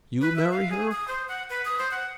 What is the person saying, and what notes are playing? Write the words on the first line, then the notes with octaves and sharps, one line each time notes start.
"You marry her!"
B4
E5
F5
G#4
D#6
C5
F#5
B4
D#6
C5
F#5